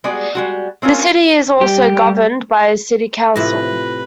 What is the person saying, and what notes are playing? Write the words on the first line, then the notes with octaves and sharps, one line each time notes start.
The city is also governed by a city council.
G3 G#3 B3 F#4 G#4 D5
G3 G#3 F#4
G#3 C4 C#4 F4 A#4
G3 G4
A2 C3 F3 E4 F4 B4 A#6